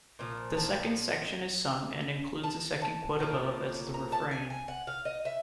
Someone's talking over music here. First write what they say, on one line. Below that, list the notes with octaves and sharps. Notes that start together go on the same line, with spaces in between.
The second section is sung and includes the second quote above as the refrain.
A#2 F3
A5
A5
A5
A2 F3 A#3
A#5
A5
G#5
G#5
F#5
F5
D#5
E5